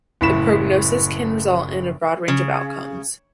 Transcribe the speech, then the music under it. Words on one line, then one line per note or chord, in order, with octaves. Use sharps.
The prognosis can result in broad range of outcomes.
F#1 A2 B5 B6 E7
C#3